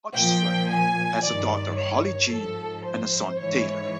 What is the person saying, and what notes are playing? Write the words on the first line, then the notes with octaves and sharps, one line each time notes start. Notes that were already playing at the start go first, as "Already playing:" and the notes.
Hodgson has a daughter Hollie-Jean and son Taylor.
A#2 F3 G5
G#5
G2 D#3 D5
C#5
G#2 F3 A4
C5
G#2 E3 C#5